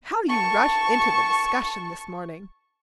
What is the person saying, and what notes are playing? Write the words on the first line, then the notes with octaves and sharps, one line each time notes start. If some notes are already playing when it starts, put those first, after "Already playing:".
How you rushed into the discussion this morning!
A5 C#6